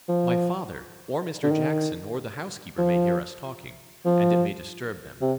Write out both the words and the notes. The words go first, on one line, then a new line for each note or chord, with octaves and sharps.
My father, or Mr. Jackson, or the housekeeper, may hear us talking, and it may disturb them.
F3
D3
D#3
F3
F3
C3